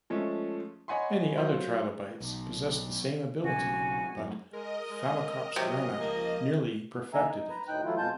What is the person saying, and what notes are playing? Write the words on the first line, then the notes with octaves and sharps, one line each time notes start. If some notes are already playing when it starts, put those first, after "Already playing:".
Many other trilobites possessed the same ability, but "Phacops rana" nearly perfected it.
F3 G#3 A3 C#4
C#5 D#5 F#5 G#5 B5 C6
F#3 F4 C5
B1
B1 C#3 F#4 G#5
F#2 A2
G#3 A#4 D#5
G#3
C3 F#3
C#2 F3 A#3
E3 A#3 D#4 E5 G#5 A#5
D#4
B4 A#5
D2 A2 D#4 G5 F#6
E3 F#3 A3 E4 F4
F2 B2 G#3 F4 A5 G6